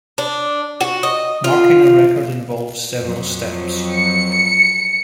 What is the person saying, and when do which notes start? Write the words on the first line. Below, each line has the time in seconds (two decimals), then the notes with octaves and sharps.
Marking a record involves several steps.
0.18 D4
0.81 F#4
1.03 D#5
1.44 F4
3.01 F2 F#3
3.94 C#7